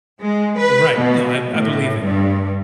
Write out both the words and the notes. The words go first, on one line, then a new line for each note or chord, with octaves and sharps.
Right, no, I b I believe it,
G#3
B4
B2
A2
G2